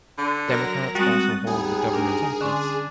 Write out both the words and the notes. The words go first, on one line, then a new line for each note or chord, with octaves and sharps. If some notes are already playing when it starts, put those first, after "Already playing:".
Democrats also hold the Governor's office.
D3
F#3 A#4 A#6
G3 G#3 C4 F#4 D#6 F#6 A6
D#2 B3 G#4
D4 A#4
D3 C#4 D4 C6